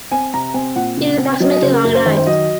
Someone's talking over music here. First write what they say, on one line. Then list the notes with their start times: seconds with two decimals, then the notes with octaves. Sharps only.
It is approximately long and high.
0.12 C4 G#5
0.34 C3 A#5
0.54 C4 G#5
0.76 A#2 F#5
0.97 C#3
1.19 C4
1.40 F#3 D#5
1.51 D#5
1.62 C#3 C5
1.73 A#4
1.84 F#2 A#4
1.94 C5
2.06 D#3 C5
2.17 C5
2.27 F#3 D#5